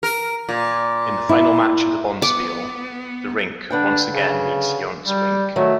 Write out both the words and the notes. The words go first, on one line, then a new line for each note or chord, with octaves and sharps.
In the final match of the bonspiel, the rink once again meets Yount's rink.
A#4
A#2
E4
B3 D6
D3 D4 B4 G5
C#3
G3
D#3 F#3 A3